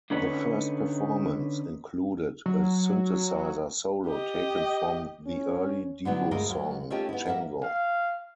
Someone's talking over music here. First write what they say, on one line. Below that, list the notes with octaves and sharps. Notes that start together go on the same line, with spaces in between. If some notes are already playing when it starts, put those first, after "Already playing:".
The first performance included a synthesizer solo taken from the early Devo song Chango.
D3 C#4 D#4 B4 C#5
F#3
G4 D#5
C#4
D3 F#3 B3 E4
D2 G2 G#3 A3 F4 A#4
D#2 F#3
D#3 A3 A#3 C#4 F4 G4
B3 E4
A#3 E5 F#5
F5